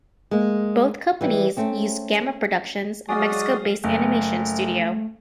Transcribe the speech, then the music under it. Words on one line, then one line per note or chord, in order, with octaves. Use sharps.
Both companies used Gamma Productions, a Mexico-based animation studio.
G#3 A#3
E3 G3
A3 C4 C#4
F#3 G#3 F#4 D5 D#5 F5 G#5 D#6
F#1 A3